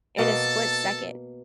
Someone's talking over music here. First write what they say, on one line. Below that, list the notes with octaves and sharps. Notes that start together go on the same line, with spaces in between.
in a split second.
B2 A#3 A4 A5